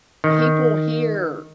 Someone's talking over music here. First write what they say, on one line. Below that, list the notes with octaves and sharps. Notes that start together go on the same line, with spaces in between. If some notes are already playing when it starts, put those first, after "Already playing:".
people here,
D#3